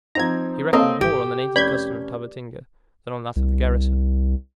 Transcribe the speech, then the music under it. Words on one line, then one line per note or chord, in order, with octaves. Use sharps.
He reckoned more on the native custom of Tabatinga than on that of the garrison.
F3 C4 D#4 A#5 G#6
A#3 C4 A4 A#4 C#5 D#5 F5 A5
G#1 G4 G6
F1 C#4 D5 B5 G6 G#6
C2